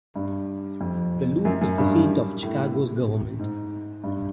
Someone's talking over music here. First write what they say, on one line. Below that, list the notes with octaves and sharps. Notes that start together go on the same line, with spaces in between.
The Loop is the seat of Chicago's government.
G2
F2
F#2
F#2
G2
A2
G#2
G2